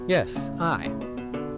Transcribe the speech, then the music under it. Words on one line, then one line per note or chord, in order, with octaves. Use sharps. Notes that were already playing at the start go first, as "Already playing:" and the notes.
"Yes, I!"
Already playing: B2
A2 C#3
A2 C#3
B2
B2
B2 D3